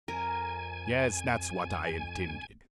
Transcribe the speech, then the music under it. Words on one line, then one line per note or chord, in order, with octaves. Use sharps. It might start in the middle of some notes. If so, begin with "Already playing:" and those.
Yes, that's what I intended.
F2 A#4 G#5